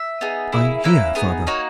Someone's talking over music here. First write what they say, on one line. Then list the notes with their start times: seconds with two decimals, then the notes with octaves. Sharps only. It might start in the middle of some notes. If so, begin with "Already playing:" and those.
"I hear, father."
Already playing: E5
0.21 B3 D#4 G#4
0.52 A#3 E4 G#4
0.84 A#3 C#4 E4 B4
1.15 B3 D#4 G#4
1.47 A#3 D#4 F#4 C#5